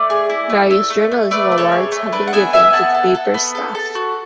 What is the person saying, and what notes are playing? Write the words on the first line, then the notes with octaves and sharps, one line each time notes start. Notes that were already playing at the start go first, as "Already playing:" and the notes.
Various journalism awards have been given to the paper's staff.
Already playing: A3 D5
G#4
E4
A3
A3
A3
A3
A3 B4 D5
A3
A4 C#5
G#4
A3
D4 B4
F#5
B3 E5 G#5
B3 E5 G#5
B3 F#5 A5
A4
A4
B3
A4
A4
F#4